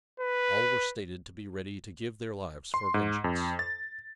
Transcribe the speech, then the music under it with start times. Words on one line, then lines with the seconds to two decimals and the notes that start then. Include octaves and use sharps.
All were stated to be ready to give their lives for vengeance.
0.20 B4
2.74 C6
2.94 G#2
3.24 F2
3.59 A6